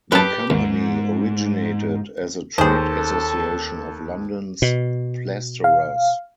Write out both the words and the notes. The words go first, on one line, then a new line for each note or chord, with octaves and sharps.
The Company originated as a trade association of London's plasterers.
F#2 C#4 G4 B4 A5
D#2 G#2
D#2 G#4 A4 C5
B2
F5